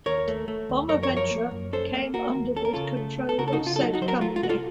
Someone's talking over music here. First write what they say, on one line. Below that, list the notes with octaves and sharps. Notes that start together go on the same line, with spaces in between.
Bonaventure came under the control of said company.
D#2 A#4 C#5
A3
A3
D#2
F#2 A#4 C#5
A#4 C#5
F3
A#4 C#5
A#3
F#2
C#4 A4 C5
A#3
A#3 F#4 A#4
D#2
C#4 A4
A#4
C#3 F4 A4
A3
A3
A4
C#3 F#4 A#4
A4
D#4 F#4
C#3
F4
A4
F#3 D#4 F#4
D#4 F#4
F#3 C5
F#4 A#4
A3 F4
F4
C2 F#4
F4 A4